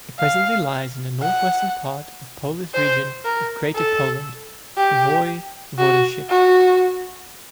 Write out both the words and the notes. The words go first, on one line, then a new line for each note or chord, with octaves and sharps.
It presently lies in the north-western part of Polish region of Greater Poland Voivodeship.
F5
F#5
C5
A#4
A4
G4
F#4
F#4